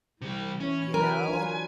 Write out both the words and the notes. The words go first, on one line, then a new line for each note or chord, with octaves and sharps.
You know?
C3 E3 G3
C#4 E4 C#5
F#3 A#4 B4 G#5
D4 F4